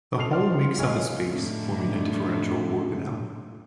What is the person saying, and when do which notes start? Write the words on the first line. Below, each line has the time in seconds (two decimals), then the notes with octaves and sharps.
The whole makes up a space forming a differential organelle.
0.17 C#3 A4 F6 C7 F7
0.30 C5 D5 C6 F6
0.50 C6
0.64 F4
0.77 A#1 G2 G#3 C#5 G#5 F6
0.89 D#5 F5 F6
1.29 A2 D3 D#3